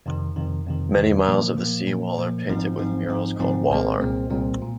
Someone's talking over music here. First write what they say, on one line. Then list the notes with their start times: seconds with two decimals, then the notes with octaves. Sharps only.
Many miles of the seawall are painted with murals called "wall art".
0.06 F2 C3 D#3
0.36 F2 C3 D#3
0.66 F2 C3 D#3
0.96 F2 C3 D#3
1.27 A#2 F3 A#3
1.57 A#2 F3 A#3
1.87 A#2 F3 A#3
2.18 A#2 F3 A#3
2.48 G#1 G#2 F3 C4 D#4
2.79 G#1 G#2 F3 C4 D#4
3.09 G#1 G#2 F3 C4 D#4
3.39 G#1 G#2 F3 C4 D#4
3.70 C2 A#2 G#3 C4
4.00 C2 A#2 G#3 C4
4.30 C2 A#2 G#3 C4
4.62 A#2